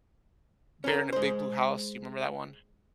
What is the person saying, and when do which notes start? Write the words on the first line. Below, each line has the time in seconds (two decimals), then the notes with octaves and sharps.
Bear in a Big Blue House, do you remember that one?
0.84 C#4 A#4
1.13 G#3 C5